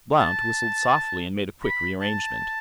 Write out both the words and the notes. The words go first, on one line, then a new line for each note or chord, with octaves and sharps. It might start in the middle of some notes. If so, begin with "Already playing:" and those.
Blount whistled softly and made a quick re-arrangement.
A5
B5
A5